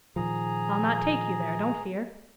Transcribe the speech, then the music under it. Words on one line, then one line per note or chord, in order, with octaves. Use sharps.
"I'll not take you there, don't fear."
A#2 D#3 F3 G#4 A#5